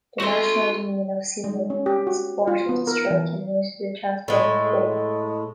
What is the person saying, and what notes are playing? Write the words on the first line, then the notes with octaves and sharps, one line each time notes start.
The National Union of Seamen supported the strike and limited the transport of coal.
A3 C4 F#4 C6
G#3
C#4
G4
F#4
F4
B3
A#4
E3
A2 G#3